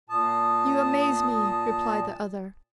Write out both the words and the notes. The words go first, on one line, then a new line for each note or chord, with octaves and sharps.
"You amaze me!" replied the other.
A#2 A5 D#6